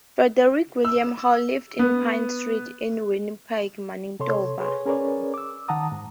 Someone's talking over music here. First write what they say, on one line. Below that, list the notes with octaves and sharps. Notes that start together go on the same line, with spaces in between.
Frederick William Hall lived on Pine Street, in Winnipeg, Manitoba.
E6
B3
C3 A4 C#5 C6
G#4 B4 C#5 C6
C#4 G#4 A#4 B4 C#5 D5
D6 E6
D#3 F#5 A5 A#5 D#6
G#2